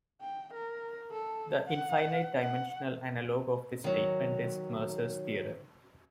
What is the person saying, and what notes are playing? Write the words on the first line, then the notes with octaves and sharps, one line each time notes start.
The infinite-dimensional analog of this statement is Mercer's theorem.
G5
A#4
A4
F#5
F#5
D#3 F#3